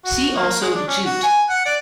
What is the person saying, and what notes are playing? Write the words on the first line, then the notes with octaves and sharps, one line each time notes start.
See also Jute.
F#4
A#3
G#3
D4
C#4
F#4
G#5
F#5
D5